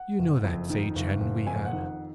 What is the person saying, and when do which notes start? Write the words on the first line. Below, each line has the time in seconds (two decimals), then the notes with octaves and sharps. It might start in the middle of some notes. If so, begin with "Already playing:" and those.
"You know that sage hen we had?"
Already playing: F#5
0.19 F#1
0.44 F2
0.70 D#3
0.95 F#1
1.20 F#1
1.46 F2 G#5
1.65 F#5
1.73 D#3
1.84 F#5